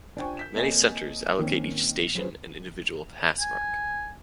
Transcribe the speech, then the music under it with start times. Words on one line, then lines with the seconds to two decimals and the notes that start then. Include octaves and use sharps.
Many centres allocate each station an individual pass mark.
0.17 D4 F4 C5 G5 G#5 C#6
0.37 G6 B6 E7
0.55 A#3 C4 A4 C#5 D#5 G#5
1.39 D#3 A#3 C4 C#4
2.15 F#3 C#4 F4 G#4 B4 C5
3.40 G#5